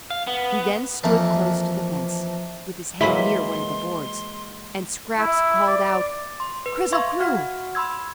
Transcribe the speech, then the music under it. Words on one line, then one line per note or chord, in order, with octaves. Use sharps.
He then stood close to the fence, with his head near one of the boards, and Scraps called out "Krizzle-Kroo!"
F5
B3
F2 E3 A3 A#3
E3 F#3 G#3 A#3 E5 B5 C6 B6
E4
D5
C6
B4
E5 F5 C6 C#6 G#6
F#4 F#5 F6
B5 C6 E6 G#6